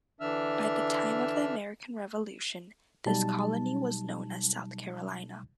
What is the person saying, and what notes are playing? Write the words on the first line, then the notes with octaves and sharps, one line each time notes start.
By the time of the American Revolution, this colony was known as South Carolina.
D3 E3 D4 E5 E6 F6
B2 F#3 G3 D#4 A5